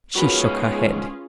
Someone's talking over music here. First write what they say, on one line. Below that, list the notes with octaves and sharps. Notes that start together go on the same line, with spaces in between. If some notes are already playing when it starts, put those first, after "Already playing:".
She shook her head.
G#2 C#4 F4 F#4 G#4 A#4 B4 C#5